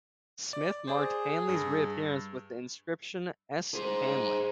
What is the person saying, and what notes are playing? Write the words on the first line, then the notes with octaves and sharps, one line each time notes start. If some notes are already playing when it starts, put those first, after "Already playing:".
Smith marked Hanley's reappearance with the inscription S Hanley!
D5
G#4 C5 D5
G2
G#4 C5